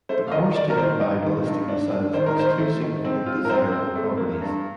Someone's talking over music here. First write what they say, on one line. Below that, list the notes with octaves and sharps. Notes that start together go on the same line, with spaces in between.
The course taken by ballistic missiles has two significant desirable properties.
A3 C5
F5
D#3 D#5
D#3 D5
A#4
D#3 C5
D#4
D#3
G2
D4
D4
D#3 C5
A#4
D#3 C5
A3
D#3
C4
F4
A#4
C4 C5
C4
A3
A#3
G2